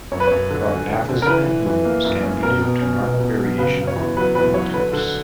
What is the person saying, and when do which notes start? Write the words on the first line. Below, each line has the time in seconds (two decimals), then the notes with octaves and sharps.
Prognathism in humans can be due to normal variation among phenotypes.
0.12 F#2 C#5
0.20 B4
0.27 F#2 C#5
0.50 D3
0.70 C#4
0.89 D3
1.08 D3
1.22 A#4
1.27 E3 B4
1.46 E3
1.66 E3
1.85 A#3
2.05 F#2
2.23 C#4
2.43 B2 A#4
2.62 B2
2.81 C#4
3.01 B2
3.19 B2
3.40 F#3
3.58 C#3 B4
3.77 C#3
3.87 C#5
3.96 E2
4.17 F#3 B4
4.35 E2 B4
4.54 F#3 C#5
4.74 D3 B4
4.93 D3